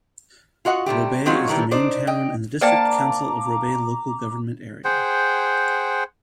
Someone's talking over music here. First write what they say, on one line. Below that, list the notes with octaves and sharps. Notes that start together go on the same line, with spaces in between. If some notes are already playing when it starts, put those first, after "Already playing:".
Robe is the main town in the District Council of Robe local government area.
F4 F#4 D#5 F#5
C3 G3 A3 G4
F#3 G#3 C4 C#4 F4 F#4
A2 D#3 E3 G3
D4 D#4 C5 D5
D#5 G5
A#3 D4 C5 D5 G5 A5 A#5 D6
G#4 C5 F#5 G5